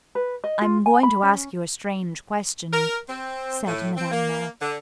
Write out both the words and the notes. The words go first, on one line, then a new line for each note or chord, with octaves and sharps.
"I'm going to ask you a strange question," said Madame Merle.
B4
D#5
F4
G#5
B5
C#4
A#4
C4
A2
C4
A#3
D3